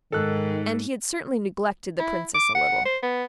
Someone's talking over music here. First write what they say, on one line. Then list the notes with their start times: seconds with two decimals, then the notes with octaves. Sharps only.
And he had certainly neglected the Princess a little.
0.12 G#2 D#3 A4 F#6
2.00 E4
2.35 D6
2.55 F#5
2.85 C5
3.03 B3